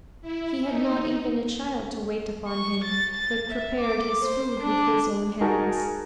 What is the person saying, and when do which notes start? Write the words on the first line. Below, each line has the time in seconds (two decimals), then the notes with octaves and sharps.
He had not even a child to wait upon him, but prepared his food with his own hands.
0.22 E4
0.64 D#4
2.47 C#6
2.85 A6
3.17 A6
3.51 E5
3.80 D6
4.22 C5
4.61 D4
5.41 D#4 F#4 G#4 A#4 G#5 A5